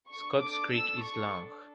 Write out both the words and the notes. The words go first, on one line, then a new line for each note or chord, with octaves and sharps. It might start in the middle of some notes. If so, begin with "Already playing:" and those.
Scotts Creek is long.
D4 A4 C#6
D6
E6
C#6